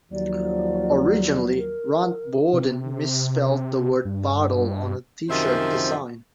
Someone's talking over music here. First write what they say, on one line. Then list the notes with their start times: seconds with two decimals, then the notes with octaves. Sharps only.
Originally, Rand Borden misspelled the word "battle" on a T-shirt design.
0.12 D#2 F3 F#3 D5
1.58 A#4
2.53 C3
4.05 G2
5.29 F#2 C3 D#3 F3 C5 E5